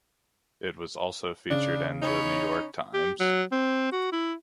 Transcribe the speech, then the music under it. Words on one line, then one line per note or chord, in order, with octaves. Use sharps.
It also was featured in the "New York Times".
C#3 D4
C#4 D#4 C#5 B5
G4
F#3
C4
F#4
E4